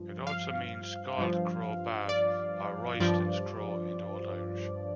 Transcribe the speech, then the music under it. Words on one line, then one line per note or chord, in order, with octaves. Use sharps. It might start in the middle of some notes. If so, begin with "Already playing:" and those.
It also means scald-crow Badb or Roynston's crow in Old Irish.
Already playing: G2 F3
F5
G2 F3
D5
G2 F3 D5